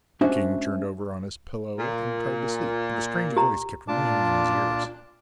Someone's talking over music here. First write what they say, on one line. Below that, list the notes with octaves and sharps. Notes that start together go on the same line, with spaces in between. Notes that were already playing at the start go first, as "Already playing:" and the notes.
The king turned over on his pillow and tried to sleep, but the strange voice kept ringing in his ears.
G#3 C#4 D4 F#4 C5 E5
A#2
G4 A#5
A#2 D4 F4 A5 D6